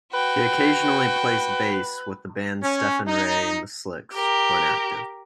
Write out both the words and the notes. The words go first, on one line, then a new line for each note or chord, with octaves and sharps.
He occasionally plays bass with the band Stephen Rey and the Slicks, when active.
F#4 B4 G5
C#4
D#4
G4 A#4